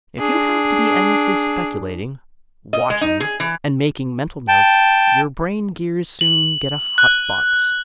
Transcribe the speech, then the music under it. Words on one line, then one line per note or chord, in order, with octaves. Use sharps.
If you have to be endlessly speculating, watching, and making mental notes, your brain-gears soon get a hot box.
D4 G#4
D#5
G#3
D#4
G#4
E3
G5 A5
F#7
F#6